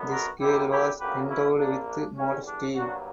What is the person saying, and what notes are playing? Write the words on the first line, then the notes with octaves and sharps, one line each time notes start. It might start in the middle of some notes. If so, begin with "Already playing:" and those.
This girl was endowed with modesty.
Already playing: F#2 D3 F#3 B3
F#4 A#4
F#2 C#3 G3 A#3 E4 G4
E4 G4
D2 C#3 F#3 A#3 G4 B4
C#4 E4
A#1 A#2 A#3 D4
D4
E2 D3 G3 C#4
D4
G2 F#3 A#3 D4 F#4